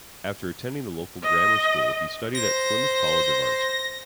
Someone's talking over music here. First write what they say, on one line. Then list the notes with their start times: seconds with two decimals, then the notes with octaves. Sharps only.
After attending the local grammar school he studied at Plymouth College of Art.
1.23 D#5
2.35 C5 A#6